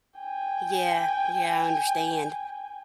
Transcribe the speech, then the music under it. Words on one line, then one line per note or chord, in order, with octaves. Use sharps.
Yeah, yeah, I understand.
G5 G#5